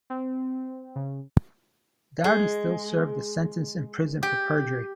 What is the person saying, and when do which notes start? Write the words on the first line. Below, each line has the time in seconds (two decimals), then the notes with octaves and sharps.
Dowdy still served a sentence in prison for perjury.
0.10 C4
0.96 C#3
2.24 G#3
4.23 G4